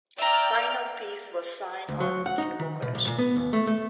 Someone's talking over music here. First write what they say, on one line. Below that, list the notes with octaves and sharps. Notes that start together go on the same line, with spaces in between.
Final peace was signed on in Bucharest.
D5 E5 G5 A#5 F6
D2
F#3
F#5
D#4
D#3
B2
B1
A#2
B3
D#2
A3
A3